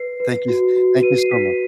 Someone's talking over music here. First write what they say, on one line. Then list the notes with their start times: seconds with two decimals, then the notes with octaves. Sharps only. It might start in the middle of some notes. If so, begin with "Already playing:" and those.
Thank you s thank you so much.
Already playing: B4 C7
0.20 B4
0.48 F#4
0.76 F#4
1.03 B4 D#7
1.18 C7
1.31 B4 B6
1.45 B6